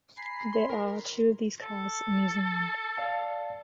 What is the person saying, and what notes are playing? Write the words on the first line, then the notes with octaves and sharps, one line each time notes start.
There are two of these cars in New Zealand.
G#5 A#5 B5 C7
C6
A#4
A4
D5 F5 A5